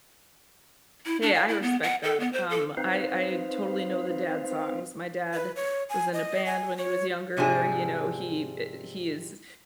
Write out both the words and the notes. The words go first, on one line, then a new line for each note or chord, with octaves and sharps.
Hey, I respect that, um, I I totally know the dad songs, my dad was in a band when he was younger, you know, he eh, he is
E4
D4
F5
E4
B3
F#5
A4
B3
C5
A4
C4 D#4 B4 C5 F5
B4
C#5
G#5
D#5
G#5
C#5
G#2 C3 F3 D4 G#4